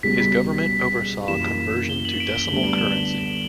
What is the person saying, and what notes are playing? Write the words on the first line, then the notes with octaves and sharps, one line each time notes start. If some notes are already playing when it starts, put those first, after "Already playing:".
His government oversaw conversion to decimal currency.
C#2 B2 G3 C#4 G4 B6
F#2 E3 A#3 C#4 G4 E7
G7
F#7
D7
G7
D2 D3 G3 B3 D4 G7
F#7
E7
F#7